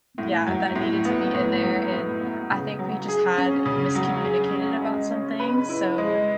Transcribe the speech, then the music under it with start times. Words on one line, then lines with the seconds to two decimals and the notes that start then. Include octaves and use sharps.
Yeah, that needed to be in there, and I think we just had miscommunicated about some things, so,
0.18 A2
0.47 F#3
0.76 A2
1.05 B3
1.34 A2
1.63 F#3
1.92 A2
2.21 B3
2.51 C#3
2.79 F#3
3.08 G#4
3.38 C#4
3.66 C#3
3.95 F#3
4.25 G#4
4.53 C#4
4.82 G#3
5.11 C#4
5.40 B4
5.69 E4
5.98 G#3